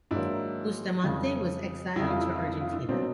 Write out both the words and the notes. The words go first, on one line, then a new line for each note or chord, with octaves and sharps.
Bustamante was exiled to Argentina.
G#2 D#3 F#3 A#3 D4 E4
F2 C#3 E3 G3
F2 C#3 E3 G3 E4
F4
E4
F4
E4
F4
D4 E4
B2 F#3 A#3 C4 D4